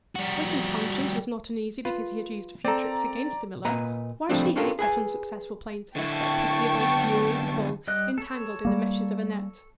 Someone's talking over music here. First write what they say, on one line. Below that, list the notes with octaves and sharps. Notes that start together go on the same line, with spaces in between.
Wakem's conscience was not uneasy because he had used a few tricks against the miller; why should he hate that unsuccessful plaintiff, that pitiable, furious bull entangled in the meshes of a net?
G3 F#4
F4 B4
C4 A4 D5 A#5
A#2 B4 D#5 A#5
F3 G3 A3 C4 D4
C#4 D4 F4 G4 A4 A#4
G#4 B4 G#5
D3 E4 G5 A5 C#6
F#2 D3 B3
G3 D#5 F#6
A4 C#5
G3 A#3